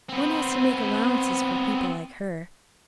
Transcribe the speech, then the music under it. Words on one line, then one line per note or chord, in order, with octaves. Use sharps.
One has to make allowances for people like her.
B3 C4